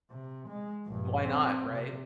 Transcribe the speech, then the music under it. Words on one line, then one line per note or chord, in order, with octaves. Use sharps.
Why not, right?
C3
G#3
A#1 G2
C4
C3